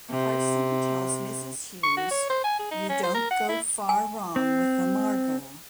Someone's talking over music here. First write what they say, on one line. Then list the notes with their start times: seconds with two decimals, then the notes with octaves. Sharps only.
Carson tells Mrs Hughes You don't go far wrong with a Margaux.
0.10 C3
1.83 C#6
1.97 F#4
2.11 C#5
2.29 C5
2.44 G#5
2.59 G#4
2.71 D#4
2.89 C#4
3.03 C5
3.14 A#4
3.31 F#5
3.48 E4
3.89 G#5
4.36 C4